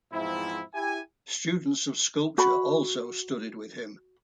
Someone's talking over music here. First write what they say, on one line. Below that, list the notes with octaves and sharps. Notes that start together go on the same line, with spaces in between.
Students of sculpture also studied with him.
E2 G#2 F3 C4 E4
E4 G4 G#5
F#4 B5